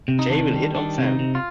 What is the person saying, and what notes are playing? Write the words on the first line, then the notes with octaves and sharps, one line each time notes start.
Jay will hit on Sam.
C3
D#4
D#3 D4
G3
D#3 D4
C3
D#4
C3
F4